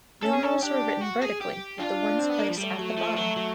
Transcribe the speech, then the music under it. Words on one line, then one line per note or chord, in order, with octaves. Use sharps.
Numerals were written vertically, with the ones place at the bottom.
C#4 A4
G#4
A4
D4 G4
F#4
G#4
G4
D4 F4
C4
B3
A#3
F3
G3 A3
F#3
F3
F#3
F#3